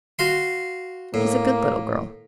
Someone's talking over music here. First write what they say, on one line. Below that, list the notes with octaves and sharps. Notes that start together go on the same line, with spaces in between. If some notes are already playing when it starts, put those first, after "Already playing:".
She's a good little girl.'
F#4 F5 C6
A2 A#3